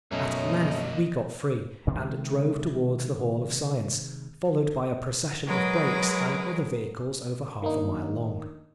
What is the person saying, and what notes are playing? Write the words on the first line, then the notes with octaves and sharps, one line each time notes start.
At length we got free, and drove towards the Hall of Science, followed by a procession of brakes and other vehicles over half a mile long.
F#2 B2 A3 A#3 C#4 C#5 D#5 A#5
C3 D#3 G#3
F#3 G#3 A#4 B4
D#3 A#3 D4 D#4